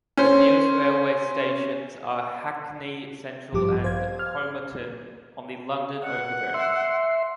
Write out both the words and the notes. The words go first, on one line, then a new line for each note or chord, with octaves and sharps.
The nearest railway stations are "Hackney Central" and "Homerton" on the London Overground.
C#4 C5
A1 G2 F3 G4 D6
C5 F5 G#6
F6
F#5
E5 C6